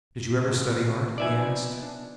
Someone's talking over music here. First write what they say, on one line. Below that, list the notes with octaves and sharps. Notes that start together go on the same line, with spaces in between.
"Did you ever study art?" he asked.
G#1
F3 B3 D#4 D5 E5 G#5
D4